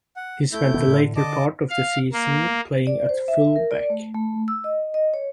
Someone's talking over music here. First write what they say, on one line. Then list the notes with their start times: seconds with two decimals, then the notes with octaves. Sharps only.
He spent the later part of the season playing at full back.
0.16 F#5
0.52 A3 E4 G6
0.74 B2 D#3 B3
0.88 A2 D3
1.16 D3 D#5 A5 D6
1.70 F5
2.13 A#3
2.87 D5
3.09 C5
3.28 E5
3.56 A#4
3.71 D5
3.90 A3
4.14 A3
4.48 E6
4.64 D#5
4.94 D#5
5.14 C#5